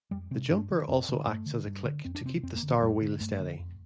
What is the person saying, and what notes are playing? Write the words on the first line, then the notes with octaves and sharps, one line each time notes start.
The jumper also acts as a click to keep the star wheel steady.
F2 G3
C3 C4
G2 D4
D3
F2 C4
D3
G2 A3
D3
G2
D3
F2 C4
D4
C3 C4
F2 C4
A#3
D3
D#3
F2 G3
D3
G2 A3
D3
F2